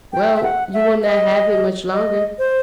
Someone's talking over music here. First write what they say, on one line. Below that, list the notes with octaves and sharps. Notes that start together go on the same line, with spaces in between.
"Well, you will not have it much longer."
G5
E5
F#5
E5
D#5
D#5
C5